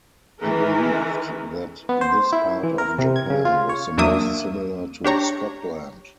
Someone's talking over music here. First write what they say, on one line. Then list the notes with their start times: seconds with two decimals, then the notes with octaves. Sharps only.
He believed that this part of Japan was the most similar to Scotland.
0.40 D#3 E3 G#4 A#4 B4
1.89 B3
2.01 C5
2.33 E4
2.63 E3
2.78 A#4
2.99 C3
3.16 G#6
3.30 C#3
3.45 F4
3.69 C#5
3.98 E2 F#3 A#3 D4 E5 D#6
5.04 D4 G4 C#5 A#5